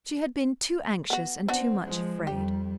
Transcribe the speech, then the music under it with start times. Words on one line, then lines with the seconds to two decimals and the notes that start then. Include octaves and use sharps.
She had been too anxious and too much afraid.
1.10 B3 F#4
1.48 B3 C4 D4 F#4
1.85 F3 G#3
2.27 F2 G3 G4